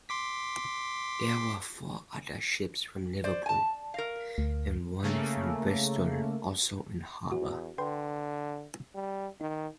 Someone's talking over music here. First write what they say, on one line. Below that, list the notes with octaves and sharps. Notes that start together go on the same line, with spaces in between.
There were four other ships from Liverpool and one from Bristol also in harbour.
C6 D6 B6
C5 D5
G#5 A5
A#4 F5
D2
C#3 A3 A#3
E2 F#4
D3 B4 G5 C6
G3
D#3 D#4